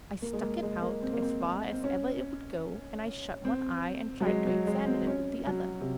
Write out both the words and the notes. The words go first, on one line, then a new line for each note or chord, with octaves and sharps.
I stuck it out as far as ever it would go, and I shut one eye, and tried to examine it with the other.
A#3
G#3
A#3
G#3
A#3
C4
A#3
C4
C4
C#4
C4
F#3
G#3
F#3
G#3
C4
C#4
F#3
C3